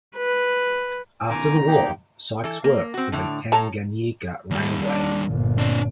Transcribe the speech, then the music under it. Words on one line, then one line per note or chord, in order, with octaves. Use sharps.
After the war, Sykes worked for the Tanganyika Railway.
B4
B2 D#3 G#5 A#5 D6
A#3 D#4 G4 G5
E3 A4
A#3
C4 F#4
A2 D3
A2 A4 C#5 A5 A#5
D#2 G3
D4
G1 A#2
C4 D4